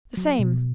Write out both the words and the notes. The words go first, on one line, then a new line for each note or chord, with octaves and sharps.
"The same."
F#3
B2